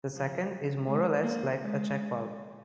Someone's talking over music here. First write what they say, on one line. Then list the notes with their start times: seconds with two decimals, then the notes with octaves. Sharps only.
The second is more or less like a check valve.
0.15 F3
0.87 G#3
1.23 A#3
1.59 G#3